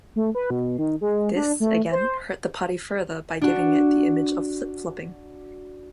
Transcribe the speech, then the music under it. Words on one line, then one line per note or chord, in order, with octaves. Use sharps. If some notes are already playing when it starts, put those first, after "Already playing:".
This, again, hurt the party further by giving it the image of flip flopping.
A3
B4
B2
D#3
G#3
D4
A3
C5
D4 F#4